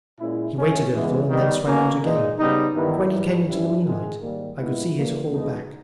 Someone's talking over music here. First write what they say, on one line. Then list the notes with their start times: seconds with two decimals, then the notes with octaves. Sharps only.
He waited a little and then swam out again; and when he came into the moonlight I could see his whole back.
0.20 A#2 G#3 C#4 E4
0.55 G2 D#3 G#3 C#4 E4
0.92 E2 C#3 E3 G#3 B3
1.30 D#3 G3 B3 D#4
1.66 B2 A#3 C#4
2.02 A#2 G#3 D#4
2.38 C#3 G3 B3 D#4
2.74 G2 D#3 G3 B3 E4
3.11 G#2 E3 G3
3.47 G2 G3 C#4 E4
3.84 G#2 D#3 G#3
4.21 G#2 D#3 G3 A#3
4.58 A#2 G#3 B3 E4
4.94 C#3 E3 G3 A#3
5.30 E2 B2 G#3 D#4